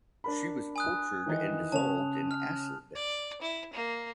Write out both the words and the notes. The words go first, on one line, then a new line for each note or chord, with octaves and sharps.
She was tortured and dissolved in acid.
D4 A#4 B5
G#5 D#6 F#6
D#3 E3 D#4
C#3 C#4 A5 F7
F6
D5
E4
A#3